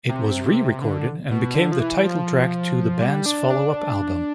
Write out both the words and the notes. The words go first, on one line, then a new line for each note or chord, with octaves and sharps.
It was re-recorded and became the title track to the band's follow-up album.
C3
C3
D3
B2
D3
F3
E3
F3
G3
D4
D4